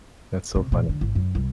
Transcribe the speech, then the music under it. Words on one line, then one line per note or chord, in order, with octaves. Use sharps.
That's so funny.
C3
A#2
D3
G#1
F#2
C2